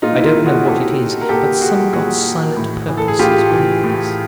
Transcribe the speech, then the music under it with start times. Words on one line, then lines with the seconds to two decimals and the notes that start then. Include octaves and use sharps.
I don't know what it is, but some god's silent purpose is beneath this.
0.02 A#2 D#4 F4
0.19 E4
0.24 D#4 F4
0.45 F#4 G#4
0.66 A#2 G4 A4
1.21 A#4
1.29 A#2 G4 A4
1.61 F#4 G#4
1.93 A#2 F#4 G#4
2.56 A2
2.88 E3
2.97 A4
3.08 G#4
3.19 A2 F4 G4
3.51 E3
3.83 A2